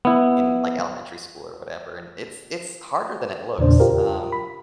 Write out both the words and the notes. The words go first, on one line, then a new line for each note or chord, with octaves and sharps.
in, like, elementary school or whatever, and it's it's harder than it looks. Um,
B3 E4
E2 A#2 C#3 D4 C5
F4 G4 A#4
B5